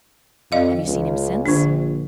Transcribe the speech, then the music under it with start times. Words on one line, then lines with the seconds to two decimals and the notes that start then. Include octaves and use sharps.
"Have you seen him since?"
0.52 F2 D5 D#5 F5
0.85 C#2
1.46 A#1 D3 D4